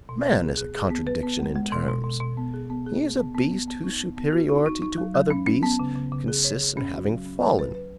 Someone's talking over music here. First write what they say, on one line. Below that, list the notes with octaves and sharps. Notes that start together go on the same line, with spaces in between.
Man is a contradiction in terms; he is a beast whose superiority to other beasts consists in having fallen.
B2
B3
G#4
G#4
G#4
B3
B4
B3
G#3
G#3
B2
B2
B2
B2
B3
G#4
B3
G#4
B3
B3
B3
B3
B3
D#4
B3
B3
F#4
D#4
D#4
D#4
F#3
F#3
C#4
C#4
B3
C#3
C#3
C#3
G#4
C#5
G#4
C#4
F#4
F#3
C#4
F#3
B4
B4